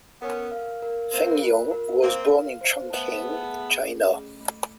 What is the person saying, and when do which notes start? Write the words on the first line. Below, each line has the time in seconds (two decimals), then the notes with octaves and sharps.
Feng Yun was born in Chong Qing, China.
0.22 B3 C#4 A#4
0.52 F5
0.82 A#4
1.11 A#3 C4 A#4
1.41 F4
1.71 A#4
2.01 A#3 C4 F5
2.31 F5
2.61 C5
2.90 A3 B3 A5
3.20 G#4
3.50 G#4
3.80 C#4
4.10 A3
4.40 A3